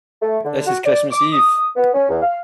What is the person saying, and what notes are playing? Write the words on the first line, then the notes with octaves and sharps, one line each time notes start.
This is Christmas Eve.
A3
D3
F#4
D5
D6
D#6
B3
C#4
E2
F5